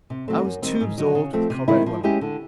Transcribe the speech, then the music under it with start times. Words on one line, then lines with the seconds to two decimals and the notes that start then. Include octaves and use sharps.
'I was too absorbed with Comrade Waller.
0.10 C3
0.28 D#3 F#3 A3 C4
0.45 F#2
0.62 D#3 G3 C4
0.80 G#2
0.98 D#3 F#3
1.15 C#3
1.33 F3 A3 C4
1.50 C3
1.68 D#3 G#3 C4 E4
1.86 F3
2.03 G#3 C#4 E4 G4
2.21 D3